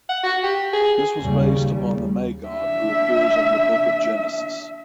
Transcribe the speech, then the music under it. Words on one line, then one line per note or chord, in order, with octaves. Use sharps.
This was based upon the Magog who appears in the "Book of Genesis".
F#5
F#4
G4
G#4
D#2 C#3 G3
D4 E5